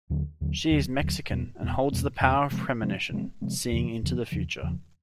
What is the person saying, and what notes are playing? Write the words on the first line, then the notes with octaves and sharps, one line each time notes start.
She is Mexican and holds the power of premonition, seeing into the future.
D#2 D3 F#3
D#2 D3 F#3
D#2 D3 F#3
D#2 D3 F#3
E2 B2 G3 B3
E2 B2 G3 B3
E2 B2 G3 B3
E2 B2 G3 B3
C3 F3 G#3 C4
C3 F3 G#3 C4
C3 F3 G#3 C4
C3 F3 G#3 C4
E2 C#3 F3
E2 C#3 F3
E2 C#3 F3
E2 C#3 F3